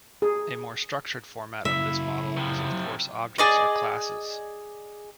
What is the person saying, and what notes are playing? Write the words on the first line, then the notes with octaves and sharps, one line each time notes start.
A more structured format of this model is of course objects, or classes.
G#4
C#3 F#3 E4 E5
C3 F3
G#4 D5 D#5